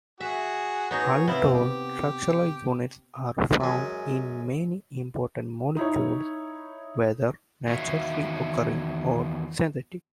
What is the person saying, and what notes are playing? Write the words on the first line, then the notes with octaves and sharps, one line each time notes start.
Aldol structural units are found in many important molecules, whether naturally occurring or synthetic.
F#4 G#4 E5
B3 D#4 F#4 G#4 C#5
C3 B3 E4 F4
G4
F#2 G#3
D#4 E4 C#5
E2 D#3 F#4 C#5 E5 F5